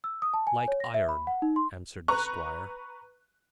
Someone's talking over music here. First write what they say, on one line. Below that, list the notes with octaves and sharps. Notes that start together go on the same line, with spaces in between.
"Like iron," answered the squire.
E6
D#6
A5
G#5
C#5
A#6
E5
B5
F#5
D#4
C6
B4 A#5 C#6 F#6